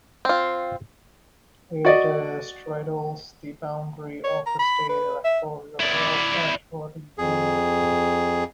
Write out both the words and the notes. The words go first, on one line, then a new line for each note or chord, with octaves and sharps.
It straddles the boundary of the state electorates of Ashford and Unley.
C4 F4
F#4 D5 D#5
C#5
A#5
B5
B4
E5
E4 D5
F2 G#4